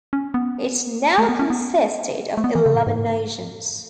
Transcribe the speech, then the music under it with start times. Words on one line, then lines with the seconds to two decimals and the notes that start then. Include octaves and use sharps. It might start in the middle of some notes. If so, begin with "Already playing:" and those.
It now consisted of eleven nations.
0.13 C#4
0.34 B3
1.18 A3
1.29 B3
1.39 C#4
1.50 B3
2.37 A3
2.44 B3
2.55 E3
2.66 C#3
2.76 A2
2.87 G#2
2.96 A2
3.05 G#2